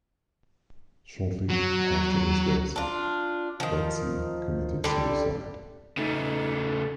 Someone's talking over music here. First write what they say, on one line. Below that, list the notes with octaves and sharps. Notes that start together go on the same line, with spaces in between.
Shortly after his death Betsy committed suicide.
F#3
D4 F4
D#3 F3
D3 G3
C#3 A3 D#4